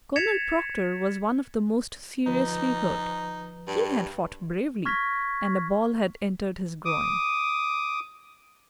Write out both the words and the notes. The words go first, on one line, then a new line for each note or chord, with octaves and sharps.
Colonel Proctor was one of the most seriously hurt; he had fought bravely, and a ball had entered his groin.
G#6 A6 B6 C#7 E7 F7
D2 F3 D#4 B4
G2
C#6 F6 G#6 A#6 B6
D6 D#6